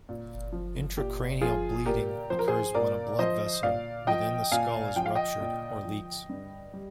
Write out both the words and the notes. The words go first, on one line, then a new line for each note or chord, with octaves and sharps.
Intracranial bleeding occurs when a blood vessel within the skull is ruptured or leaks.
A#2
F3
A#2 G4
F3 F4 G#4
A#2 G4 A#4
F3 C5
A#4
G#4 C5
A#2 A#4 D5
F3 C5 D#5
A#2 D5 F5
F3 D#5 G5
A#2 F5 G#5
F3 G5
F5
D#5 G5
A#2
F3
G2
G3